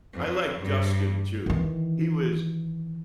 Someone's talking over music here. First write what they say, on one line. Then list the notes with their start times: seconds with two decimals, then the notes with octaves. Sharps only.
I like Dustin too. He was
0.14 F2
0.59 G2
1.46 D#3 E3